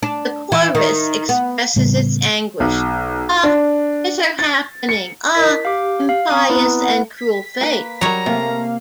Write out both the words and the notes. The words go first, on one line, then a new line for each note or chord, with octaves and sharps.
The chorus expresses its anguish: Ah, bitter happening, ah, impious and cruel fate!
D4
E3
D#3
B3
A2 C#3 G3 B3
B1
D4
A6
C#7
E4 A#4 D#5 B6
G4 F5 D6
F5
C4 A#5 D#6
B3 E4 B4
F#5
B6
A#3 B4
F#3 G3 A#4 C#5 A#5
C3 A3 A#3 F5